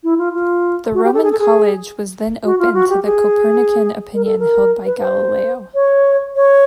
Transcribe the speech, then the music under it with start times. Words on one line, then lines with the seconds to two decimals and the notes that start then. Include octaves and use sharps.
The Roman College was then open to the Copernican opinion held by Galileo.
0.04 E4
0.18 F4
0.33 F4
0.94 F#4
1.04 G4
1.14 A4
1.24 G#4
1.32 A4
1.39 G#4
2.45 F#4
2.59 F4
2.74 F#4
2.89 G4
3.04 G#4
4.14 A#4
4.25 A4
4.39 A#4
4.85 B4
5.00 C5
5.75 C#5
6.36 C#5